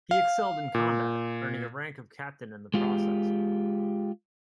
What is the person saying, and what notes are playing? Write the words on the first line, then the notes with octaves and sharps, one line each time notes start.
He excelled in combat, earning a rank of captain in the process.
F5
A#2
G#3 F4 G4